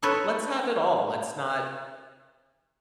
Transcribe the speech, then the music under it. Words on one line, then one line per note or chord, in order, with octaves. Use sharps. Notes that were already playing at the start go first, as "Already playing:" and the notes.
Let's have it all. Let's not
D#4 A4 B4 C#5